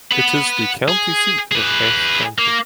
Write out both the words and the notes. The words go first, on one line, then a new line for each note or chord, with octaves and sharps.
It is the county seat of Ashe County.
F#5 B5
G#4
G#4 B4
A#3